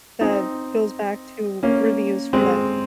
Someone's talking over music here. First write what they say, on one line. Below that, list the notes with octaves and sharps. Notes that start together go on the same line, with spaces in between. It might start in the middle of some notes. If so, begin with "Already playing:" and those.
that goes back to reviews for that
C4 D#4
A#3 C#4
G#3 C4